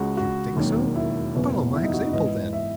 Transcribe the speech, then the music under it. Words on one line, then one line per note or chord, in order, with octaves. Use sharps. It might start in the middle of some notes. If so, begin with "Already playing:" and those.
"You think so?--follow my example, then."
Already playing: C#2 C#3 G#3 C#4 F#4
F#4
E1 D#2 D#3 F#3 C#4
E4
F#1 E2 B2 F#3 B3
E4
D#4
F#4
G#1 G#2 E3 B3 D#5
E5